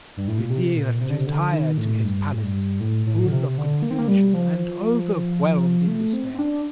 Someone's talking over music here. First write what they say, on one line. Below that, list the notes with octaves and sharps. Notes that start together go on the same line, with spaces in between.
The vizier retired to his palace full of confusion, and overwhelmed in despair.
G2
A2
A#2
C3
A#2
C3
D3
C3
D3
D#3
A2
G2
A2
G2
A2
A2
D3
C3
D3
A#3
C4
A#3
G3
F3
A3
C4
C4
D4